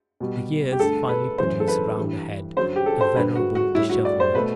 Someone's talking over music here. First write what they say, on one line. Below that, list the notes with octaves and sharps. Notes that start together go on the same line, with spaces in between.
The years finally produce around a head a venerable dishevelment.
B2 G3
G4
G2 D3 A3 A4
B4
F#2 E3 A3 C5
A4
B4
G2 E3 G3
F#2 D3 F#3 C5
G4
A4
C5
G2 D3 G3 B4
F#4
F#4
A2 G3 E4
F#4
D5
C5
B2 A3 B4